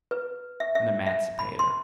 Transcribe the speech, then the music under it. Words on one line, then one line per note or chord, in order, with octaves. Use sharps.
An emancipator?
B4
E5
E5
E5
B5
C6